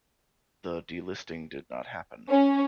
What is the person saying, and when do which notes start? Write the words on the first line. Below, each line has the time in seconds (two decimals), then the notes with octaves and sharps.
The delisting did not happen.
2.30 C#4